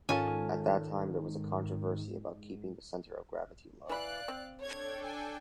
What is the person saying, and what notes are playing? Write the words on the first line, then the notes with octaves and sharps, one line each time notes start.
At that time there was a controversy about keeping the centre of gravity low.
G#2 D#3 C#4 F4 A4 G#5
E3 D5 F5 B5 F#6
C4
D4 A4 C#5 G5 G#6
G#5